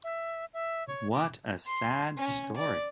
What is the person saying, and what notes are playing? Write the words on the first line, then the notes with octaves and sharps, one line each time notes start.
What a sad story.
E5
E5
C#5
D6
C6
C#4
D5